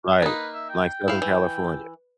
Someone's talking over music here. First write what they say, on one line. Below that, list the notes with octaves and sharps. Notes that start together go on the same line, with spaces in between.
Right, like Southern California.
A#3 D#4 B4
E5
G5
E4 F5
E3